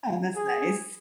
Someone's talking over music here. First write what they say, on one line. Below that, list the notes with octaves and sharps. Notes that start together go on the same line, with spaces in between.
Oh, that's nice.
G#4